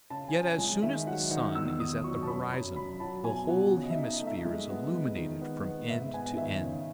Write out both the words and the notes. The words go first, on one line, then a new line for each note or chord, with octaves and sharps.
Yet as soon as the sun is at the horizon, the whole hemisphere is illuminated from end to end.
C#3 A5
G#5
C#4
G#5
G#3
D#5
D#3 E5
F#3 F#5
D#3 F#5
E2 E6
D#3 D#6
F#3 C#6
A5
F#2 B5
F#2
F#2 B5
F#3 A5
B2 G#5
B2 F#5
C#3
D#5
E5
D#4
D#5
A3
E5
G#3
B3
G#3
D#3
B3
B3
G#2 E5
B3 G#5
D#3 E5
C#3